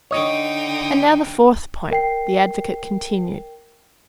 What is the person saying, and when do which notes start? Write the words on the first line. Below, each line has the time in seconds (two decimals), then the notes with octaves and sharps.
"And now the fourth point," the advocate continued.
0.11 D3 D#4 C#5 D#5 G5
1.91 A#4 G5 C7